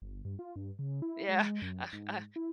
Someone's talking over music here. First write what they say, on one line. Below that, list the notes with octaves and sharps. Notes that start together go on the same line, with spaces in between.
Yeah, I I
G1
G2
F4
G2
C#3
E4
G#3
F#2
G#2
E4